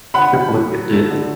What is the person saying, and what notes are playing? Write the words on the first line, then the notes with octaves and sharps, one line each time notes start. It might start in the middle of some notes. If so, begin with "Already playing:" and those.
Oh my goodness.
D3 F#5 B5
F#3
F#3
F#3
A3
D3